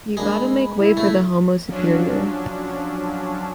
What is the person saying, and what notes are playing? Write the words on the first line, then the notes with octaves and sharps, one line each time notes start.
You gotta make way for the Homo Superior.
G3 G#3 A#3 D4 B5
C#3 G3 E4
C#3 A3
F3 F#3 C#4 D4